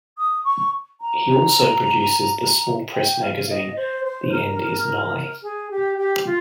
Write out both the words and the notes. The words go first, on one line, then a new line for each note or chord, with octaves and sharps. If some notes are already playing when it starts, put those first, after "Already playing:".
He also produces the small press magazine "The End Is Nigh".
D#6
C#6
A#5
G5
F5
D#5
C5
C5
C5
A#4
G#4
G4
G4
F4